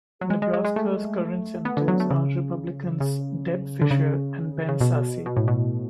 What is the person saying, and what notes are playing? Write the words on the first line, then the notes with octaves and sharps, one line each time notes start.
Nebraska's current senators are Republicans Deb Fischer and Ben Sasse.
F#3
G#3
G#3
G#3
G#3
A3
B3
D3
F#3
A3
C#3
C#3
D3
C#3
C#3
B2
B2
A2
B2